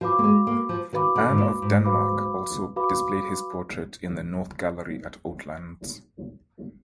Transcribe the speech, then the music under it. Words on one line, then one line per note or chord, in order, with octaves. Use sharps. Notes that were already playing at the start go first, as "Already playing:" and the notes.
Anne of Denmark also displayed his portrait in the north gallery at Oatlands.
F3 F#4 B4 F5 B5 D6
A#3
G#3
A#3
F3
D#3 F#4 B4 F5 B5 D6
D3
G#2
A#2
G#2
F#4 B4 F5 B5 D6
F#4 B4 F5 B5 D6